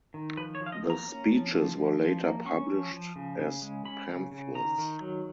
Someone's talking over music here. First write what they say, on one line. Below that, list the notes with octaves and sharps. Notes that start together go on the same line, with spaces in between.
The speeches were later published as pamphlets.
D#3
F3 B4
C#5
F3
F5
D#5
A#3
A#5
C#4
F3
F3
F3
F3
A#3
C#4 C#6
F3
F3
C#3
C#3
G#3
C#4 B5
C#3
C#3
D#3 A#5
D#3
F#3